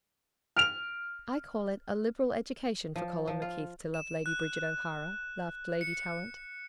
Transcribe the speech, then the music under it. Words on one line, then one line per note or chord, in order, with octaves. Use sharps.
'I call it a liberal education for Colin McKeith to love Lady Bridget O'Hara,' laughed Lady Tallant.
F6 D7 F7
F3
F3
F4
E7
F#6
C#7